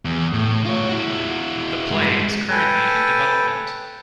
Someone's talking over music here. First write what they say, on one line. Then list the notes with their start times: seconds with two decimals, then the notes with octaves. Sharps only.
The play is currently in development.
0.05 E2
0.33 A2
0.66 F4 C#5
0.89 E4 F#4
1.91 G2 G#3
2.51 A4 B4 G5 G#5